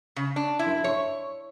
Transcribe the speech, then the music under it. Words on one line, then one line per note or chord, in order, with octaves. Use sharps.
Uh huh.
C#3
D4
E4
C#5